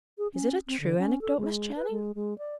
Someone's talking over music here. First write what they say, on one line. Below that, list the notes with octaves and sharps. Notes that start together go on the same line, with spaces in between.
"Is it a true anecdote, Miss Channing?"
G#4
C#4
C4
D3
C#4
A4
G#3
B4
G#3
G#3
D5